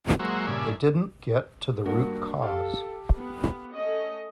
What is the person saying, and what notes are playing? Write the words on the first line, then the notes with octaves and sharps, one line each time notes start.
They didn't get to the root cause.
F#3 G#3 A#3 F#4 C5 E5
G2 A#2 C#3 D5 E5 G#5
G2 A#3 F#4
G4 A4 F5
B3
A3 C#4 D#5